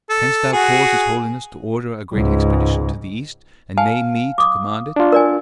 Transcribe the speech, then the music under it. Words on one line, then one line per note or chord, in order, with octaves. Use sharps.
Canst thou cause his holiness to order a great expedition to the East and name me to command it?
A4
F#4 G#4
C#2 G#2
F5 G#5 A5
D6 D#6
D4 F4
A#4 D5 G#5